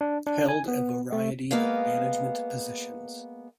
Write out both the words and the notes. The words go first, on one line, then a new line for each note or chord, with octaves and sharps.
Held a variety of management positions.
D4
D4
G#5
B3
A3
G#3 A#3 B3 F5